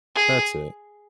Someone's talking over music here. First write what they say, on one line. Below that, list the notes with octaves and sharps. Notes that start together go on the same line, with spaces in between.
That's it.
G#4